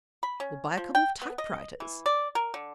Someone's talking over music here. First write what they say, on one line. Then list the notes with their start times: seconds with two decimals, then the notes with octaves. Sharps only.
We'll buy a couple of typewriters.'
0.23 B5
0.40 C#4
0.77 F3
0.95 G5
1.22 B3
1.38 D#5
1.80 E3
2.06 D5
2.35 A#4
2.54 D3